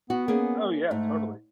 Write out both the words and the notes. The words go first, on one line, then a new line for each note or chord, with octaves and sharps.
Oh yeah, totally.
B3 F#4
A#3 C#4 G#4
G#2 A3